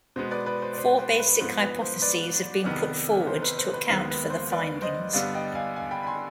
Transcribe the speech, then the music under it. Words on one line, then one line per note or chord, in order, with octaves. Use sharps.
Four basic hypotheses have been put forward to account for the findings.
B2 G#3 B3 C5
B4 D5
B4 D5
C5
D5
C5
C5
B4
G#2 F3 B3 C5
B4
C5
B4 D5
F2 C3 D#3 B3
C5
B4
C5
B4
D#2 D#3 G#3 B3 C5
B4
C5
B4 D5
C5 D#5
G2 D3 G3 B3 D5 F5
D#5 G5
F5 G#5
F5 G#5
G5 B5
B5
G#5 C6